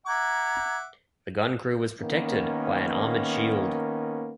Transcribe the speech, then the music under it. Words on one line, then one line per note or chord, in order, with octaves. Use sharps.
The gun crew was protected by an armoured shield.
E5 F#5 A#5 D6 G#6
D#3 A#3 B3 C#4